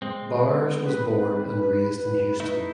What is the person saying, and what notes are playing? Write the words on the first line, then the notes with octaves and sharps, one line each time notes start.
Bowers was born and raised in Houston.
G#3 C4
B3
B4
A3 D#4 E4